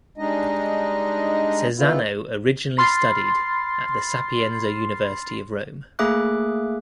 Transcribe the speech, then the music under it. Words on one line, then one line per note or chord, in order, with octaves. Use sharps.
Cesano originally studied at the Sapienza University of Rome.
G3 G#3 D4 D#4 D#5
D#3 E3 B3 E4 F4
B5 C6 F6 A6 C7
A3 A#3 G#4 E5 D6 F#6